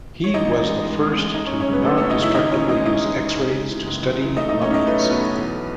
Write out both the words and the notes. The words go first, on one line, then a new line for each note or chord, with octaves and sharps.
He was the first to non-destructively use x-rays to study mummies.
C#5
A1 D#4 D#5
A1
G#3
G#3
A1
G#3
G#3 D#4 D#5
C#4 C#5
F#2
C#4 C#5
C#3 B3 B4
F#2 A3 A4
C#4 C#5
F#2
D#4 D#5
C#3 E4 E5
G#1 D#4 D#5
E3 C#4 C#5
G#3 D#4 D#5
E3 D#4 D#5
G#3
G#3
C#3
C#3
E3
F#1
F#1
E3
A3 D#4 D#5
D#4 D#5
A3
C#4 C#5
B1 D#4 D#5
A3 B4
C#5
B2
B3 B4
B1
E2